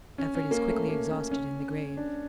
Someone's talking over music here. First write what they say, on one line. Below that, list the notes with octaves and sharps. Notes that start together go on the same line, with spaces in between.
Effort is quickly exhausted in the grave.
C#4
C#4
A#3
A3
A#3
C#4
C#4
D4